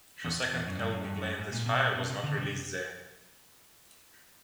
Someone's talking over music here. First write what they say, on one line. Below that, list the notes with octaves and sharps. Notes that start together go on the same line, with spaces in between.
Her second album "Playin' With Fire", was not released there.
E2
E2
F#2
G2
F#2
G2
F#2
G#2
A#2
B2
B2
C3
D3
C3